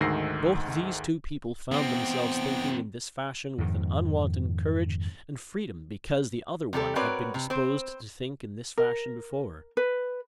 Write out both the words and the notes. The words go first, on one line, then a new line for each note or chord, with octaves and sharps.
Both these two people found themselves thinking in this fashion with an unwonted courage and freedom because the other one had been disposed to think in this fashion before.
D2 G#2 D#3 E6 A#6 C7
E3 B3 C4 G5
F2 G#2 D#3
C3 G3 G4 A4
C4 F#4 A#4 B4 C#5 D5
C3
C4 C5
A#4
B4